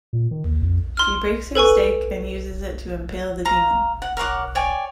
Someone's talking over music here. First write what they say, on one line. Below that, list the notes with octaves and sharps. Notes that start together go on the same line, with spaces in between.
She breaks her stake and uses it to impale the demon.
A#2
D#3
D#2
F2
C6 F6
A4 B4 G#5 C#6
F5 A#5
F#5
A#4 C#5 F#5 D6
C#5 D5 G5 G#5